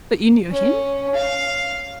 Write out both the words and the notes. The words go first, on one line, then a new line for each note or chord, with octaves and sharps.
"But you knew him?"
C#4
F5